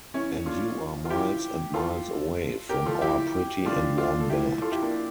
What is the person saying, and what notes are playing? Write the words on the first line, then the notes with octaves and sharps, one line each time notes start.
And you are miles and miles away from your pretty and warm bed.
C#4 E4
D4 F4
F4
E4 G4
F4 A4
G4 A#4
F4 A4
E4 G4
D4 F4
D4 F4
A4
E4 G4
F4 A4
E4 G4
A#3 D4